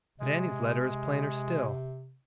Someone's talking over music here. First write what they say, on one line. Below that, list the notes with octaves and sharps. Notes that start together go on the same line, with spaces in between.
But Annie's letter is plainer still.
C3 G#3